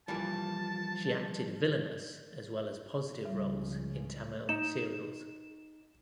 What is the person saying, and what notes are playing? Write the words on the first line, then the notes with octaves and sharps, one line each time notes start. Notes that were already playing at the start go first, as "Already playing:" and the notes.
She acted villainous as well as positive roles in Tamil serials.
E3 F3 G3 A#3 A5
C#2 C#3 F3 G3
D#4 E7